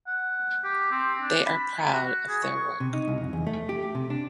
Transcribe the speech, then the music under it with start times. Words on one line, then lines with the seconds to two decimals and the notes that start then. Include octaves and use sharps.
They are proud of their work.
0.07 F#5
0.64 G4
0.91 C4
1.21 D4
1.46 B5
1.92 F#4
2.29 G#4
2.43 C#6
2.80 C3
2.93 D#4
3.08 C2
3.21 F2
3.33 E2
3.47 A3
3.69 G4
3.95 C3
4.10 D4